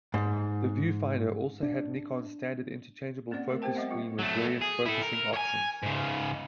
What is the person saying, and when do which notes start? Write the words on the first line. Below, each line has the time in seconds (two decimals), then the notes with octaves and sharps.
The viewfinder also had Nikon's standard interchangeable focus screen with various focusing options.
0.14 G#2
1.63 D4
3.31 A#3 C4 C#4 D5 F#5
3.49 A3 A#4
3.62 B3 C4 G4 C5 G5 A5
3.75 G3 C4 D#5 E5 F#5
3.91 G3 F4
4.19 F#3 A3
4.62 G#4
4.86 E4 A4
5.02 A#4
5.34 C#5 G#5
5.83 G#2 C#3